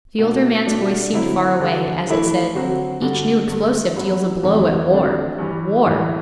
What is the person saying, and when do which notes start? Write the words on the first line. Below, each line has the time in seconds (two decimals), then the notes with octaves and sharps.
The older man's voice seemed far away, as it said, 'Each new explosive deals a blow at war,--war!'
0.18 B2 A3 D4
0.66 B2 A3 D4 F#4
1.13 D3 F#3 C4 E4
1.60 D3 G3 D4 F#4
2.07 E3 A3 E4
2.55 D3 F#3 C4 F#4
3.01 G2 D3 G3 D4 F#4
3.49 G2 D3 A3
3.96 F#2 F#3 B3
4.44 E2 C3 E3 A3
4.91 C3 F#3 A3 D4
5.38 G2 E3 G3
5.86 A2 E3 G3